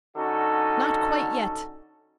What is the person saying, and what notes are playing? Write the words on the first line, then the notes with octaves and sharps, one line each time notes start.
Not quite yet.
D3 C#4 D#4 F#4 A4